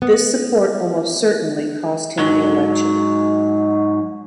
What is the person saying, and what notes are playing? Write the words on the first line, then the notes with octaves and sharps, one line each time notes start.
This support almost certainly cost him the election.
B3
G#2 F#3